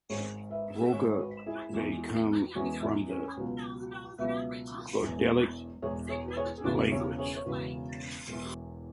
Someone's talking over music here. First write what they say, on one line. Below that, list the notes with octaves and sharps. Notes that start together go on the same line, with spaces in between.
"Roca" may come from the Goidelic language.
G#1 G#2 G#3 G#4 C#5
B4 E5
G#1 G#2 G#3 G#4 C#5
C#5
F#4 B4
E4 G#4
E2 E3 G#3
E2 E3 G#3 C#4 F#4
E4
C#4
C#2 B2 F#3
C#2 B2 F#3 B4 E5
E1 E2 E3 G#3
E1 E2 E3 G#3 G#4 C#5
G#4 C#5
B4
G#4 C#5
G#4
E1 E2 C#3 E3 F#4 B4
G#4 C#5
G#4 C#5
C#5
E1 E2 C#3 E3 F#4 B4
E1 E2 E3